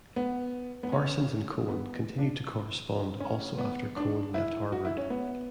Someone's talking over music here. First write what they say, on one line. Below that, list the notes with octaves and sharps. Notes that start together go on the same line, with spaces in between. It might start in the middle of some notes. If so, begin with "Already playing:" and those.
Parsons and Cohen continued to correspond also after Cohen left Harvard.
B3
B3
C#4
B3
D4
C#4
B3
D4
E4
F#4
E4
C#4
B3